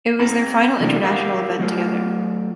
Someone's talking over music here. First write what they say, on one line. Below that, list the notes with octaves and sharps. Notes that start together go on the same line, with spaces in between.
It was their final international event together.
C4 A#4 A#5 B5
C3 E3 F#3 D4
G4 A#4 F5 F#5
F#3 A3 F4